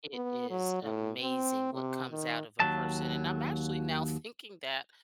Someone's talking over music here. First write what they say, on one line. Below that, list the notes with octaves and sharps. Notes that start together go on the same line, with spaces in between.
it is amazing what comes out of a person. And I'm actually now thinking that
B3
F#3
A2
C4
C3
D#3
D#2 E3 F#3 A5